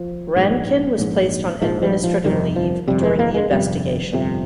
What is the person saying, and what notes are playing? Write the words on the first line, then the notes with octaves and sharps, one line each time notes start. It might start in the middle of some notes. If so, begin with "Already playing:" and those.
Rankin was placed on administrative leave during the investigation.
Already playing: F3
A#1 G#2
A#1 G#2
A#1 G#2 F3
G3
F3
G1 F2 C3 D#3
F3
G1 F2 C3 G3
G#3
A#3
G#3
G1 F2 C3 G3
G1 F2 C3